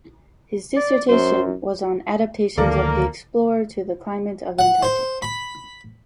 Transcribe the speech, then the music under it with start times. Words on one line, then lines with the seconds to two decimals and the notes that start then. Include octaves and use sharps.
His dissertation was on "Adaptations of the Explorer to the Climate of Antarctic".
0.76 D5
1.09 F#2 C5
2.58 D2 D#3 F3 A#3 A4 A#4 D5
4.59 F#5
4.83 C5
5.22 B5